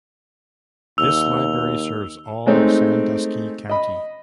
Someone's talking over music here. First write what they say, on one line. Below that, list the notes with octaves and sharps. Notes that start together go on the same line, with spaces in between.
This library serves all of Sandusky County.
D#2 E6 F7
G#3 A3 C4 D#4
D#5 B5